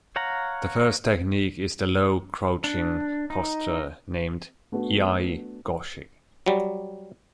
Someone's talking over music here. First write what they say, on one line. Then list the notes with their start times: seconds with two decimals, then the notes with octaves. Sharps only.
The first technique is the low crouching posture named "iai-goshi".
0.16 C#5 F5 F#5 A#5
2.64 D4
3.30 D#4
4.72 A3 B3 D4 F#4
6.46 F#3 G3